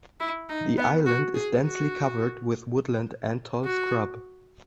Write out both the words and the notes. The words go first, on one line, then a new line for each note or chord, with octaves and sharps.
The island is densely covered with woodland and tall scrub.
E4
D#4
B3
F#4
G#4
F#4
F#4